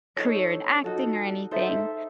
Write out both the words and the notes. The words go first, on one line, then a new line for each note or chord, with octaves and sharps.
career in acting or anything.
D#4 A4 C#5
D#4 F#4 A4
D#4 A4 C5 E5